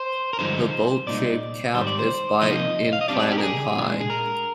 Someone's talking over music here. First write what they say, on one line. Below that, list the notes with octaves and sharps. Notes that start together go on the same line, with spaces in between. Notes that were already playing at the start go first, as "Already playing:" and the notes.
The boat-shaped cap is by in plan and high.
Already playing: C5
A#4
G2 D3 F3 G#3 D#4 C5
C2 A#2 G#3 D#4 D5
G#2 D#3 G3 C5
D5
C5
C3 F3 A#3 D#4 D#5
F5
D#5
C2 C3 G3 D4 D5
D5
G4
A#4
G#4
A#2 G#3 D4
G#4
A#4